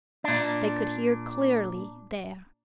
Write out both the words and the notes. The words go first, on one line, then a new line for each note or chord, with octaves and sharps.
They could hear clearly there.
A#2 D4